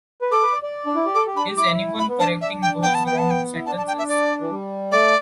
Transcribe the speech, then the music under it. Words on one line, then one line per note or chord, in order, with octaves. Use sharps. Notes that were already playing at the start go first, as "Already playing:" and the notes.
Is anyone correcting those wrong sentences?
B4
A4 D6
B4
D5
D5
D4
E4
G4
A4 D6
G4
D4 B5
G4
E4 D6
B5
B3
D4 A5
D4 E5
G5
B3 G5
A5
G5
A5
G5
E4
D4 A5
A5
G5
E5
D5
E3
G3
A3 D5